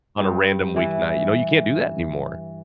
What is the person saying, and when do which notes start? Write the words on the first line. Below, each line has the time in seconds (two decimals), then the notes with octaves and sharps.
on a random weeknight, you know, you can't do that anymore.
0.19 G2
0.76 E3